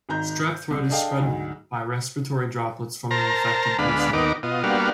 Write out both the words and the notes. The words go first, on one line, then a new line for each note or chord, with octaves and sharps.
Strep throat is spread by respiratory droplets from an infected person.
G#1 D#3 A#5 G6
C2
D4 G#4 A4 D#5 F5 G5
D2 G#2 F#3
A#4 C5 A5 A#5
D2 G#3 B3 D4 F5 B5
D#2 B3 D#4 A#4 D6
B2 F4 D#5
G3 A#3 B3 D4 F#4 F5